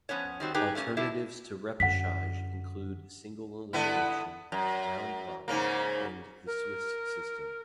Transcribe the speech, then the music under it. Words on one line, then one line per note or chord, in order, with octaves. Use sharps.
Alternatives to repechage include single elimination, round robin, and the Swiss system.
F3 B3 C#4 C#5
D#3 G3 C4 F#4
D#4 G4 G#4 B4 G5
A3 A#3 C#4
G3 A3 E4 G4 A4
F#2 D3 F#5 B6
D3 B3 E4
F#2
G#2 C#3 A#3
A#4